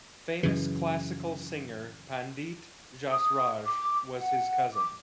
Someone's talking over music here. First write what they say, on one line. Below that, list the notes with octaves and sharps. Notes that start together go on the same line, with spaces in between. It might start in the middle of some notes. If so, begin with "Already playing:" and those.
Famous classical singer Pandit Jasraj was his cousin.
F#2 C#3 E3
D#6
D6
F#5
D6